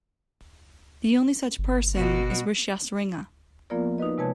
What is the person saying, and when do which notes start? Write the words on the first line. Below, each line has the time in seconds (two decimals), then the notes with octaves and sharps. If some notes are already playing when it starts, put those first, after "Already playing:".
The only such person is Rishyasringa.
1.58 G1
1.95 B2 F#4
3.70 F3 A#3 B3 F4 A#4 D5
3.98 D#4 F#4 B4 D#5
4.18 C3 G#3 B4 C#5 A5 G#6